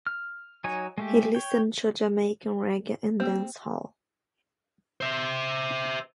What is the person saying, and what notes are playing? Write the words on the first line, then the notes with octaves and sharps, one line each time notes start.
He listened to Jamaican reggae and dancehall.
F6
F#3 D#4 C#5 G#5
G#3 A3 G4
C#5 G5
A#3 C4 G4
C5 E5